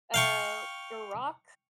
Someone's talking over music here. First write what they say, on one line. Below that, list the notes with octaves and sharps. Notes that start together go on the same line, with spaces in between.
Uh, Iraq,
F5 G5 C#6